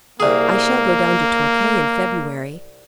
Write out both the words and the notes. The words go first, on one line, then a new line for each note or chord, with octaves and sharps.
I shall go down to Torquay in February.
C2 A#3 G#4